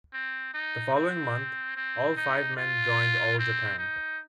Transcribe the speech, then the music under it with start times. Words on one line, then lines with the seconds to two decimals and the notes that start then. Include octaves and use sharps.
The following month, all five men joined All Japan.
0.13 C4
0.54 D#4
0.95 C4
1.76 C4
2.17 D#4
2.57 F4
3.39 C4
3.78 D#4